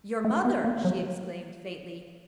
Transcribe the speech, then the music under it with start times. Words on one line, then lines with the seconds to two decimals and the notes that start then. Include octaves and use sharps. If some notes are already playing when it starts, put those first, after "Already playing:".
"Your mother!" she exclaimed faintly.
0.25 A3
0.45 B3
0.64 A#3
0.85 F#3